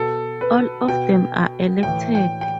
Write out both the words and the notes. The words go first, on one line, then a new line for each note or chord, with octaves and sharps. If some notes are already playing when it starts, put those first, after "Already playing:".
All of them are elected.
Already playing: B2 A4
B4
B2 G5
A2 E3 G5
G5
G5